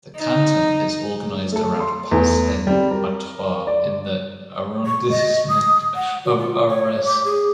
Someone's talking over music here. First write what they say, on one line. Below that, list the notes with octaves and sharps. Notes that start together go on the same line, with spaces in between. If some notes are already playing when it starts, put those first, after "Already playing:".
The canton is organised around Pas-en-Artois in the arrondissement of Arras.
D#4
A3 A4
C6
E2 A3
G3 C4
A#4
D5
C#6
D#5
D#6
F#5
F#4
F4
C#5
D6
G#4